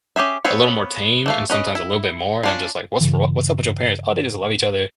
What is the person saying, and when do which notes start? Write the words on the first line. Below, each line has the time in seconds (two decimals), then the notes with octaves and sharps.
a little more tame and sometimes a little bit more, and I'm just like, "What's wr what's up with your parents?" "Oh, they just love each other,"
0.16 C#4 G4 G#4 E5
0.45 B3 C4 B4 C#5 F5
1.26 E3 A3 F5
1.50 C#4 B4 D#5
1.75 E4
2.43 C#4 D4 F4
3.01 G2 C#3 E3